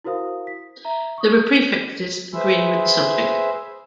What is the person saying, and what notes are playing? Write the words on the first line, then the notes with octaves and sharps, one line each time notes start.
There are prefixes agreeing with the subject.
E4 F#4 A#4 C5 F5 D#6
B6
E5 A#5
C#6 D#6
G#4 B4 C5 E5